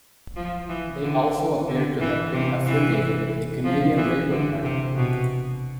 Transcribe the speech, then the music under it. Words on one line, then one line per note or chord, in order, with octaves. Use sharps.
They also appear to have been affiliated with the Canadian Labour Party.
F3
E3
D3
D3
E3
C3
E3
F3
E3
D3
C3
B2